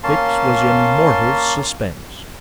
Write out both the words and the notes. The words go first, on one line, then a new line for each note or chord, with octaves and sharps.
Fix was in mortal suspense.
A#3 C#4 A5 C6